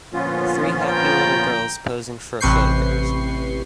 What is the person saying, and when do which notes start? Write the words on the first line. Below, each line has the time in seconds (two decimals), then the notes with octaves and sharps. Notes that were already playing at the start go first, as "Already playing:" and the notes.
Three happy little girls posing for a photograph.
0.13 A#2 D3 F3 B3 C#4 F4
0.90 G5 A#5
2.41 A1 C3 B4 C#6 G6 C7